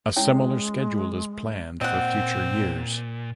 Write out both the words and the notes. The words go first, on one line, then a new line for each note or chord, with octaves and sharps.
A similar schedule is planned for future years.
G#3 C#4 E4 C#5
A#2 C4 D#5 F#5